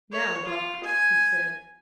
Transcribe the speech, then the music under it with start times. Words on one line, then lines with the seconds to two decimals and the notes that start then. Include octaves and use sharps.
"Now, Buck," he said.
0.12 C#5
0.45 F4
0.83 G#5